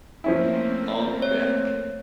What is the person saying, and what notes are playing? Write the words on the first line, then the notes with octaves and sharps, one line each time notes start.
I'll be back.
F3 A3 A#3 C4 C#4 E4
C#5